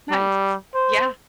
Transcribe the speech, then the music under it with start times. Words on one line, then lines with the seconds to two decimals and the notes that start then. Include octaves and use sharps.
Nice. Yeah.
0.11 G3
0.74 C5